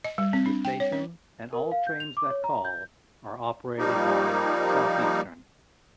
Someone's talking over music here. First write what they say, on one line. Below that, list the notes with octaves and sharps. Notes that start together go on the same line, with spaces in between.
The station and all trains that call are operated by Southeastern.
D#5
G3
C4
D4
G5
C#5
C#4
A#4
F5
G6
F7
D6
C#5
A#5
G6
F3 G3 A#3 D#4